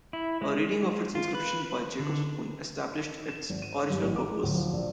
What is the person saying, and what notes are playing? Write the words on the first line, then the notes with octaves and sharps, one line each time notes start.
A reading of its inscription by Jacob Spon established its original purpose.
E4
G#3
F4
B4
D3
E7
G#1
D#7
C#5
G2
A1
D6
G#3
D1
F3
A#1